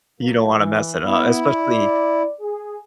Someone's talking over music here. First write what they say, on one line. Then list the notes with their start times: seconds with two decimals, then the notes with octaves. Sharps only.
You don't wanna mess it up, especially
0.21 A#2 F#3 A#3
0.56 E3
1.04 B3 E4
1.49 D5
2.40 G#4